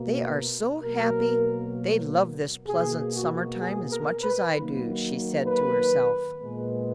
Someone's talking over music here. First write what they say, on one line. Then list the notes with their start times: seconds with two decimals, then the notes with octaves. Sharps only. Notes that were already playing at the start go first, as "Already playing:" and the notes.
"They are so happy; they love this pleasant summer-time as much as I do," she said to herself.
Already playing: B2 A#3
0.84 B2 F#3 A#3 A#4
2.68 B2 A#3 G#4
3.15 F#4
3.61 G#4
3.91 A#4
4.22 B4
4.53 D#3 F#3 A#3
5.46 B4
6.39 A#2 G#3 B3